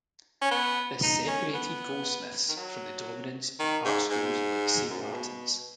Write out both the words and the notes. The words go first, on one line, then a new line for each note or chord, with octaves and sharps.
This separated Goldsmiths from the dominance of art schools like Saint Martins.
C#4
B3
D#4
C#4
B3
D#3
F#3
D#3
G#2
G#2
F#2
G#2
B2